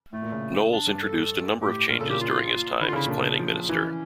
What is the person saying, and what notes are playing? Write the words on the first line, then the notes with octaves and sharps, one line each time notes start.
Knowles introduced a number of changes during his time as Planning Minister.
A2 A3
A#2
C#3
D4
G2
A4
A2 G4
A#2 A#4
C#3 A4
A#2 G4
F4
D3 E4
F4
C#3 E4
A#2 D4
C#3
F3
E3 C#4